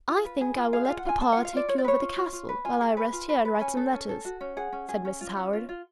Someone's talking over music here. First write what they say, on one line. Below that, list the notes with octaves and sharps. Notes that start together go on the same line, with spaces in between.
"I think I will let papa take you over the castle, while I rest here and write some letters," said Mrs. Howard.
F4
B4
G#4
F4
G#4 F5
F4 F5
F#5
F4 G#5
G#4 A5
F4 F#5
F5
F4 D5
F4 C#5
D5
B4 C#5
F4
F4
F4
B4
F4 G#5
G#4
B4
F4
B4
B4
C#4 G#5
A4
C#4
A4
F#4
C#4
G#4 F#5
C#4
G#4
C#4
F4
C#4
F4
F4